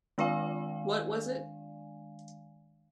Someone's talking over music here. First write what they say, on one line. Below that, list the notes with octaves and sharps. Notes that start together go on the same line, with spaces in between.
What was it?
D#3 G#3 D4 D5 F5 G#5